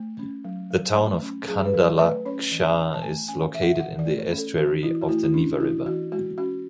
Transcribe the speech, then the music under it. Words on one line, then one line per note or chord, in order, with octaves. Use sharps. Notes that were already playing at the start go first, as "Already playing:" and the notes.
The town of Kandalaksha is located in the estuary of the Niva River.
Already playing: A3
C#4
F#3
F#3
A3
C#4
F#3 G#4
B4
F#3 A4
A3 B4
C#4 C#5
E3
E5
E3
A5
A3 G#5
C#4 G#5
E3 E5
F#5
E5
E3 F#5
D5
A3
C#5
C#4
A4
E3 F#4
E3 E4
F#4
A3 E4
E4
C#4 D4
F#4
E3 E4
E3 F#4
G#3 F#4
C#4 F#4